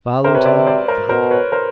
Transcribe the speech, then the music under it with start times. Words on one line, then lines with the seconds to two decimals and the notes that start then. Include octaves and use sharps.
Followed him, followed.
0.24 C3 A#4 C5
0.35 B4 C#5
0.45 D5 E5
0.67 C5 D5
0.88 A#4 C5
1.09 B2 A#4 C5
1.31 B4 C#5
1.52 A#4 C5